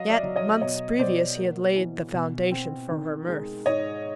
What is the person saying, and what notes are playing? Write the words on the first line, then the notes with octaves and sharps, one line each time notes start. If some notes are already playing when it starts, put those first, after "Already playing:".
Yet months previous, he had laid the foundation for her mirth.
Already playing: F#3 D#5 F5
D5 E5
F#3
C#5 D#5
B2 C#5 D#5
B2 C5 D5
A#3
E3
B2
C4
D#3
G#3
G#2 C#5 D#5